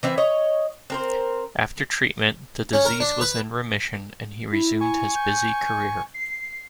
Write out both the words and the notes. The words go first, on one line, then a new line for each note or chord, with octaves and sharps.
After treatment, the disease was in remission and he resumed his busy career.
E3 C4 E5
C#5 D#5
C4 A#4 C5
C#4
A#4
D4
B4
E4
G#5 C#6
G6
C7